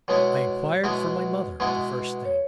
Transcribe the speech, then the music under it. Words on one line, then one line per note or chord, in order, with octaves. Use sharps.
I inquired for my mother the first thing.
B2 G#3 B3 E4 C#5
B2 G#3 B3 E4
B2 G#3 B3 E4
C#5